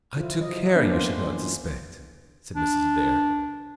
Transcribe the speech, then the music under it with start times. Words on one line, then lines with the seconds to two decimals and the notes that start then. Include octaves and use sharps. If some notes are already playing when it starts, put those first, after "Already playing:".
"I took care you should not suspect," said Mrs. Adair.
0.16 F3 E4 F4
0.40 F3 F#3 D#5
0.74 D3 A#3 C#4 D4 B4
0.89 B3 C5 F5
1.31 E3 F#3
2.56 D4